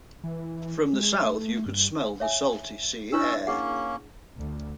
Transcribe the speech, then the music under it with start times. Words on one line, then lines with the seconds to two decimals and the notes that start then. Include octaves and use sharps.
From the south you could smell the salty sea air.
0.24 E3
0.93 G#3
1.22 A3
1.66 G2
2.20 C#5 E5 G#5
3.13 C#4 D4 E4 C#5 E6
3.47 A#3 C#4 G#4 F#5
4.36 D2